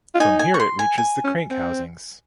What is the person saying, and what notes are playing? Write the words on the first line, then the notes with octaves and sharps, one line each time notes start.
From here it reaches the crank housings.
F4
D#4 G#5
G#5
C#6
C6
G#5
G#5
C#4
C4